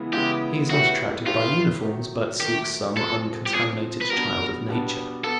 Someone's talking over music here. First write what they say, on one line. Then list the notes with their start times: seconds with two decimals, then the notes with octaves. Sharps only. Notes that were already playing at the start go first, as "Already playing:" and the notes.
He is not attracted by uniforms, but seeks some uncontaminated child of nature.
Already playing: C#3 E3 G#3 B3 E4
0.13 C#3 E3 G#3 B3 E4 G4
0.70 A3 C#4 E4 F#4 G4 B4
1.26 A3 C#4 E4 F4 G4 B4
1.83 D#3 F#3 A3
2.40 D#3 F#3 A3 G4
2.97 F3 G#3 C4 A4
3.46 G4
3.53 F3 G#3 C4 G#4
4.01 B4
4.10 B2 G3 B3 D4 A#4
4.67 B2 G3 B3 D4
5.24 B3 A4